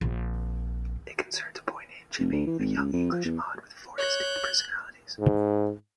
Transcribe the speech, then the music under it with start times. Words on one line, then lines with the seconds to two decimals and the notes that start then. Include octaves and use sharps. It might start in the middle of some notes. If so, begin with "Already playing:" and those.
It concerns a boy named Jimmy, a young English Mod with four distinct personalities.
0.01 A#1 C4
2.19 F1
2.32 D2
2.46 E3
2.59 G#1
2.76 C#2
2.93 F2
3.12 F3
3.25 E2
3.98 C#5 F#6 G6
5.20 G#2